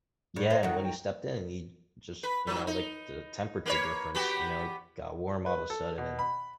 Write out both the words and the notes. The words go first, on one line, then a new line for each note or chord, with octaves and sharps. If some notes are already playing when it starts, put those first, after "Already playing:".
yeah, and when he stepped in, he just you know, like, the temperature difference, you know, got warm all of a sudden and
A2 D5
C5 D#5
D#3 F#3 F#5
G5
B4
G#2 F#3
D#4
A#3 B4 C#5
B3 F#4 G4
B4
A4
B2
B5